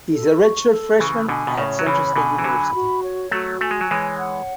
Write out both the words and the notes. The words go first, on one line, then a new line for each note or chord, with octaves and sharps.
He is a redshirt freshman at Central State University.
A4
C#6
A4
C#3 E3 C#6
B2 D3 G#5
B2
A2 C#3 C#5
F#3
C#3 E3 B5
B2 D3 G#5
E3
D3 F#3 B5
F#4
C#5
F#3 A3 F#4
A3 G#5
G#3
F#3
E3 G#3 C#5
F#5